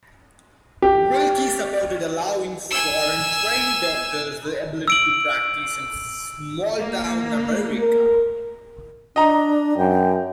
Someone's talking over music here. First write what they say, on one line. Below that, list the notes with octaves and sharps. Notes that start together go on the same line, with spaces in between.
Willkie supported allowing foreign-trained doctors the ability to practice in small-town America.
G4
G#5 E6
E6 D7 F#7
A#3
A#4
D4 D#5 A#5
F#2 G5